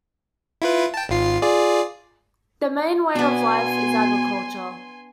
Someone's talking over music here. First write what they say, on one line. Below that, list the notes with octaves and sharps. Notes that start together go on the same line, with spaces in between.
The main way of life is agriculture.
E4 F4 B4
G5 A5
G#1 F4 C7
F4 G#4 D5
B2 B3 D4 G#5 C6 C7